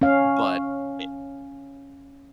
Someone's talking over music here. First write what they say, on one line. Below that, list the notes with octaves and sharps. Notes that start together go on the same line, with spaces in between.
but i
C#4 F5